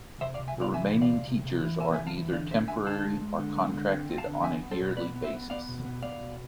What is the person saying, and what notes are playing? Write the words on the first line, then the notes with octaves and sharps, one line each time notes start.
The remaining teachers are either temporary or contracted on a yearly basis.
C3 C5 E5
D5 F5
C3
E5 G#5
C3 D5 F5
E3 E5 G#5
C3
D5 F5
C3
C3
C3
E3
C3 E5 G#5
E5 G#5
E3
F5 A5
E3
D3 D5 F5
D3 C5 E5
D3 E5 G#5
D3 F5 A5
G#3
G#3
D3
G#3
D3
C4
C4
F5 A5
D3
B3 E5 G#5
B3
A4 C5
B2
B3 B4 D5
B3
C5 E5
B3
B3 D5 F5
B2
B3
B3 D5 F5
B2